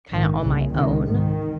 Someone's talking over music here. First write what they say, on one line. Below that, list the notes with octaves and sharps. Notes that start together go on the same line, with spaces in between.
kinda on my own,
A#1 G#2 D#3
C2 A#2 C#3
C#2 C3 D#3
G#1 G#2 D#3